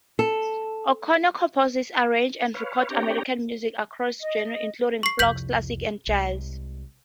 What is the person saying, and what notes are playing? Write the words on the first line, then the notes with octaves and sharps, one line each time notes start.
O'Connor composes, arranges, and records American music across genres including folk, classical and jazz.
A4
B4 C#5 F5
C4 D4 G4 C#5 G5 A#5
D#5
C#6 C7
C2 F2 G6 B6 F#7
C2 G#3